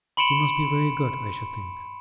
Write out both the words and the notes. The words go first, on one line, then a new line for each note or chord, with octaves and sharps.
He must be very good, I should think?'
B5 C6 C#7 D7 E7 F#7